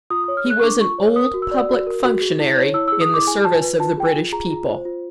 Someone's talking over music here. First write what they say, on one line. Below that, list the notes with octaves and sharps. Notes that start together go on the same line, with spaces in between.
He was an "Old Public Functionary" in the service of the British people.
F4 D#6
D#6
C#5
F6
G#4 F#6
C#6
D4 D6
F4 C#6
C#5
A#4 D#6
F#4
E6
D5
F#4
A#4
F#4
G#4
E4
C#5
E4 E6
E6
G#4
D#6
E4 D6
G#4 G#5
F4 A5
G#5
B4
F4 A5
G#4 G5
G#5
F4
G#4 A#5
F4
C5
F4